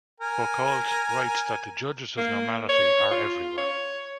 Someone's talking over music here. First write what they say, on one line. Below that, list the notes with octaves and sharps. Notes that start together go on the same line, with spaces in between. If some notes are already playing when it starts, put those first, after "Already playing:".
Foucault writes that 'the judges of normality are everywhere'.
A#4 G#5
A#3
C#5
F4
C#5